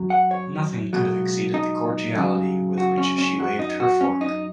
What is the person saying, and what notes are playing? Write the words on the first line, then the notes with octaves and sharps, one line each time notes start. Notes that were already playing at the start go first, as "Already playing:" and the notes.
Nothing could have exceeded the cordiality with which she waved her fork.
Already playing: F#2 F#3
F#5
C#5
C#2 B2 F#3
D#4
F#2 C#3 F#3
F#4
C#4
C#4
F#2 F#3 F#4
D#4
F#4
C#4
D#4